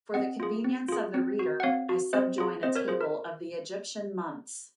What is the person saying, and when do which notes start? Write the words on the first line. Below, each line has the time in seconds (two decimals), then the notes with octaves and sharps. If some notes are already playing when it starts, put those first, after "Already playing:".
For the convenience of the reader, I subjoin a table of the Egyptian months.
0.14 C4 D#5 F#5
0.40 F4 G#4
0.64 C4
0.88 F4 G#4
1.14 C4
1.39 F#4
1.60 F#5
1.63 C4 C#5 F5
1.89 F#4
2.13 C4 C5 D#5
2.38 F4 G#4
2.63 C4 C5 D#5
2.75 A#4 C#5
2.88 F4 G#4 C5
3.01 A#4